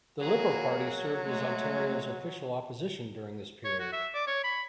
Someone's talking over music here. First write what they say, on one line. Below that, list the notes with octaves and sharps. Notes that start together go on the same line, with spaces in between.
The Liberal Party served as Ontario's official opposition during this period.
F#3 A#3 G#4
G#3 A3
C#5
F#4
E5
D5
C#5
B5